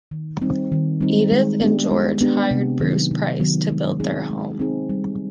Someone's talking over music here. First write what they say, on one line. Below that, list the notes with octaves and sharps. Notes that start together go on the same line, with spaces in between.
Edith and George hired Bruce Price, to build their home.
D#3
G3 C4 D#4
D#3
G3 C4 D#4
G#3
B3 D4 G4
G#3
B3 D4 G4
C3
D#3 F#3 B3
C3
D#3 F#3 B3
G#3
C4 D#4 G#4
G#3
C4 D#4 G#4
G3